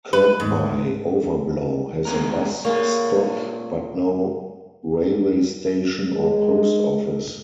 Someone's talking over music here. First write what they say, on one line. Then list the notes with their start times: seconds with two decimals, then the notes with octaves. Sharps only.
Kirkby Overblow has a bus stop, but no railway station or post office.
0.13 B4
0.40 G#2
2.05 G#3 B3 A#4
2.65 A#2 A#3 G#4 C#5
6.12 G#3